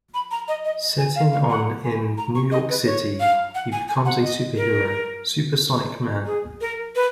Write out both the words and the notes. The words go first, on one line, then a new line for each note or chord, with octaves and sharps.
Setting on in New York City, he becomes a superhero, Supersonic Man.
B5
A#5
D#5
D#5
G#5
F5
F5
F#5
G#5
A#5
C#6
D#5
B4
C#5
F5
F#5
G#5
G#5
F#5
D#5
A#4
G#4
A#4
B4